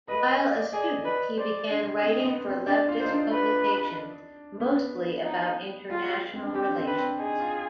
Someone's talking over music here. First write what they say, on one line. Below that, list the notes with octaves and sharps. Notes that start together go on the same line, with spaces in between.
While a student, he began writing for leftist publications, mostly about international relations.
B4 D#5
D#5
D5
G#4 D5
D#5
B4
C5 D5
D4
C4 D#5
B3
C4
D4 D5
F4
D#4 C5
D4
B4
B3
D#4
G#3 F4
C4
D4
C4 G4
D4
C4
D4 B4
C4
D#4 G#4
F4